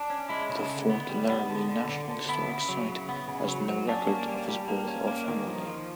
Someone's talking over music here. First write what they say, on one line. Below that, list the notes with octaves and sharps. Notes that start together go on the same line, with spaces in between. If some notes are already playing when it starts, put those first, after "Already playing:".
The Fort Laramie National Historic site has no record of his birth or family.
Already playing: D4
C#4
G#3 E4
C#3
D3
B3
G3
B3
D3
D3
D3
D3
B3 E4
C#3
F#3
C#3
B3
C#3
F#3
F#3
C#4 D4
A#3
G3
G3
A#3
C#4
A#3
D#3
F3
F3